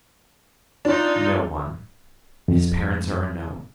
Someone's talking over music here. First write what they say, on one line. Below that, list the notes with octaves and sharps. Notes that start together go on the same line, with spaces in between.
"No one; his parents are unknown."
D4 D#4 F4
F2